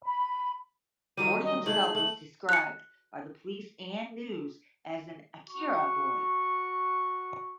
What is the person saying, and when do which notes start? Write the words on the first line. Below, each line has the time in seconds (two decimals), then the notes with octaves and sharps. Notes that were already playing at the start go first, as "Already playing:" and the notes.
Morty himself was described by the police and news as an ""Akira" boy".
0.04 B5
1.17 D#3 F#3 G3 D#7
1.44 D#5
1.66 G#2 A3 G#4 F#7
1.95 A3 F#7
2.49 F#6 C#7
5.50 F#4 C#6